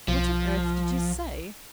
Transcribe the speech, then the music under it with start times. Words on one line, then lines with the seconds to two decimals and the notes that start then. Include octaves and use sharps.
"What on earth did you say?"
0.08 B1 F3